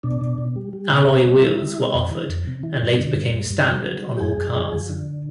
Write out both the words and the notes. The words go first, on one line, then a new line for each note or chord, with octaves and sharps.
Alloy wheels were offered and later became standard on all cars.
B2 D4
B2
B2
G3
G3
B2
B2
G3
E3 E4
G3
G3
F2
E3
F2
C3
E3
G2
D3
G2
G2
G2
F#3
F#3
F#3
G4
F#2 G#4
F#2
F3
F#2
D3